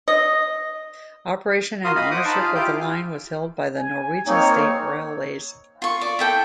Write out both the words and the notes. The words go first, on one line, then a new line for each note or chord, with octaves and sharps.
Operation and ownership of the line was held by the Norwegian State Railways.
D#5
F4 F#4 A#4 F5 C6 D#6
D#5 F5 B5
C5 F#5 D6 D#6
D#4 C5 A5 B5
F4 G#4 F5
E4 F4 G4 F5 G5
G#5
A#3 C4 D#4 C#5
F4 C#6
D5
E4 A4 G5